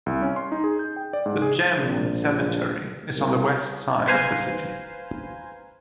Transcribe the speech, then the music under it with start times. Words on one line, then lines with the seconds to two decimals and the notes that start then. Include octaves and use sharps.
The Gem Cemetery is on the west side of the city.
0.06 C2
0.22 C#4
0.36 C6
0.52 D#4
0.64 G#4
0.79 G6
0.96 G5
1.13 D5
1.26 G#2
1.42 G#4
1.79 A#1
3.14 C2
4.07 B4 C5 F5 G#5 A#5 C6